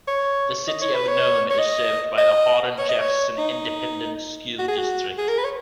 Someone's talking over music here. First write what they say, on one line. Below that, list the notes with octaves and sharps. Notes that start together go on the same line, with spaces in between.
The City of Nome is served by the Hardin-Jefferson Independent School District.
C#5
D#5
C#5
B4
C#5
C#5
D#5
D#5
C#5
D#5
C#5
D#4
F#4
G#4
F#4
G#4
A#4
B4
C#5